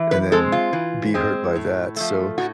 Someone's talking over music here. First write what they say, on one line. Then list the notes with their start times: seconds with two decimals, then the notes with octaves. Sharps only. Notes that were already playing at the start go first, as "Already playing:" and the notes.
and then be hurt by that, so,
Already playing: E3
0.11 B4
0.32 G#3 C4 A4
0.52 F4
0.73 E3
1.14 G#3 C4
1.55 A2
1.97 F3 A3
2.38 A2 F#4